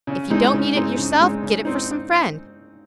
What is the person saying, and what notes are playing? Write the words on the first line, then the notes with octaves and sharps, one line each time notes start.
If you don't need it yourself, get it for some friend.
C#3
G#3 C4 D#4
C#3
G#3 C4 D#4
C#3
G#3 C4 D#4
C#3
C4 D#4